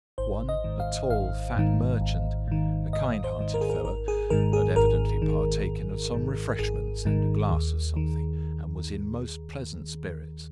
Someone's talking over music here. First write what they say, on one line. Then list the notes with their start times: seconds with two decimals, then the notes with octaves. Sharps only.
One, a tall, fat merchant, a kind-hearted fellow, had evidently partaken of some refreshments and a glass of something, and was in most pleasant spirits.
0.18 G#1 C5
0.49 D#5
0.64 G#2 D#3
0.80 F5
1.10 G#1 F5
1.56 G#2 D#3
2.01 G#1
2.47 G#2 D#3
2.93 G#1 D#5
3.24 C5
3.39 G#2 D#3
3.54 A#4
3.61 G#4
3.70 A#4
3.85 G#1 A#4
4.08 G#4
4.30 G#2 D#3 A#4
4.53 G#4
4.76 G#1 A#4
5.22 G#2 D#3
5.68 G#1
6.14 G#2 D#3
6.59 G#1 G#4
7.05 G#2 D#3
7.51 D#2
7.96 D#3